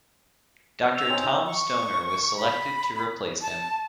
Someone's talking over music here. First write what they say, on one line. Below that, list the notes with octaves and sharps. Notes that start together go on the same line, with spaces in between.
Doctor Tom Stoner was selected to replace him.
E6 F7
C4 C#4 D#4
C#6
B5
A5